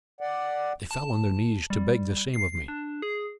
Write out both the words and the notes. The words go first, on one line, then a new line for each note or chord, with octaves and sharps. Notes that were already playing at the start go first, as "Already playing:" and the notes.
They fell on their knees to beg the same of me.
D5 F#5
A5
G3
C7
D4
G#4